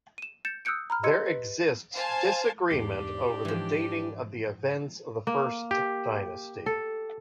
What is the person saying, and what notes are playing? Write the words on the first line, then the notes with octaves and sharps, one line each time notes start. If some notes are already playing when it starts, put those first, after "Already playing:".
There exists disagreement over the dating of the events of the first dynasty.
D#7 E7
G6 A6 C#7 E7
D#6 E6 F#6 G6 C#7 D7
A#5 B5 F6
G4 D#5 C6 E6 G#6 C#7
B4
C5 F5 G#5 A5
E2 G#2 D4 G4 C7
G#2 E3 F3
A#3
G4
A4